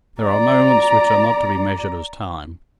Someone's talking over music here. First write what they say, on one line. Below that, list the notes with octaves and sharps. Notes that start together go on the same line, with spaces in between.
There are moments which are not to be measured as time.
D5 A#5